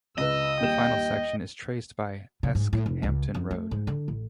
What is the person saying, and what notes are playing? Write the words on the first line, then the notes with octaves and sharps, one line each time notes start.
The final section is traced by Esk–Hampton Road.
C#2 B4 D#5 E6
D#2 G3 G5 E7
C#3
G#2
A2
F1
C#2
F2
A3
G#2
D3
A1